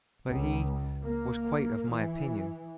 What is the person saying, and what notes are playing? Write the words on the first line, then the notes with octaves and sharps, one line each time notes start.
But he was quite of my opinion.
C#2
A#3
E3